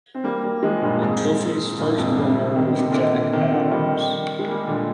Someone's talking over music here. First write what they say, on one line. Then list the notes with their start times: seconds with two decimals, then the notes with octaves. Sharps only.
The trophy's first winner was Jack Adams.
0.14 C4
0.24 G3 A#3
0.44 G3 A#3
0.63 F3 G#3
0.82 G2 A#2
1.01 F2 G#2
1.78 G2 A#2
1.98 F2 G#2
2.11 C3
2.17 G2 A#2
2.56 D#3
2.67 D3
2.79 C3
2.91 A#2 D3
3.33 C3 D#3
3.51 D3 F3
3.71 D#3 G3
4.39 G#3
4.48 G3 A#3
4.67 A#2 D3